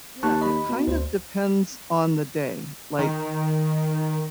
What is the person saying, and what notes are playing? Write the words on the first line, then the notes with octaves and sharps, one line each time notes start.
Yeah, it kind of depends on the day, like,
D#2 A5 C#6 F#6
D#5 B5
B2
D2 C5
D#3